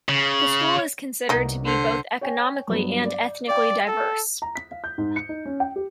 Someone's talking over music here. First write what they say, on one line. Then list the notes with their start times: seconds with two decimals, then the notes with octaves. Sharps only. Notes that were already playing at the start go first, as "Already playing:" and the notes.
The school is considered to be both economically and ethnically diverse.
0.09 C#3
1.29 C2 A#3 B3 D#4
1.66 D3 C5
2.21 C#5 G5 G#5
2.68 G2 F#3 B3
3.05 D5
3.48 D5 F5 G5
3.88 A4
4.42 A#5
4.56 B6
4.72 F5
4.84 G6
4.98 G#2
5.16 C#7
5.29 D#4
5.46 C#4
5.60 G5
5.76 G4